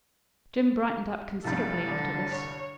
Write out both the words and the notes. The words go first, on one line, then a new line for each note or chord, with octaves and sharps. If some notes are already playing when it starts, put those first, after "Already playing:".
Jim brightened up considerably after this.
C2 G2 F3 A3 A4
D3
C#5